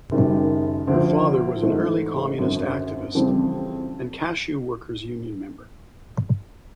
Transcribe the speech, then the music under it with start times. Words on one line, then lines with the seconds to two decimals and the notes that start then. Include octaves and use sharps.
Her father was an early communist activist and cashew workers union member.
0.11 F#1 F#2 D#3 G3
0.87 D2 D3 F3
1.62 G#2 E3 A3
2.38 G#1 F#2 D3
3.15 F2 C#3 E3 G3 C4